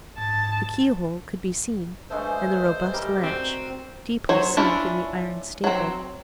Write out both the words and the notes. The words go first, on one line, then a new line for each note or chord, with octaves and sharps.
The keyhole could be seen, and the robust latch, deeply sunk in the iron staple.
G#2 A5
G2 G#3 A3 C5
G3 G4 A#4
C4 F#4
F#3 C5 C#5
C#4 D4 E4 F4
F#3 C4